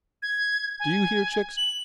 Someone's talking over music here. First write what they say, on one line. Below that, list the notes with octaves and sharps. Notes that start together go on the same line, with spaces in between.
Do you hear, chicks?
G#6
G#5
F#7